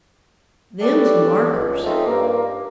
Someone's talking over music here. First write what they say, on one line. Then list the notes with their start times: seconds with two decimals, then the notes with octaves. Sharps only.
Them's markers.
0.81 G4 A4 B4 C#5 D5
1.52 C#2
1.84 F3 A3 C4 C#4 D#4 F4
2.05 G2 A#3